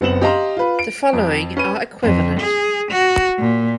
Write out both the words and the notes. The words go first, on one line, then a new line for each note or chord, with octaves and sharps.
The following are equivalent.
F#1 B3 C4 E7 F#7
G4 D#5 F5 A#5 C6
F4 B4
D7
F2
C#4 B4 D#7
F2
G#4
F#4
A#2